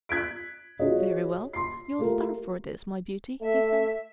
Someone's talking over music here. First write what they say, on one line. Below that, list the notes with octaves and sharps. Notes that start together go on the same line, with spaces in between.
"Very well; you'll starve for this, my beauty!" he said.
F#6 G#6 B6 D7
F4 F#4 G#4 C#5 D#5
C6 C7
A3 F4 G4 A#4
A3 E5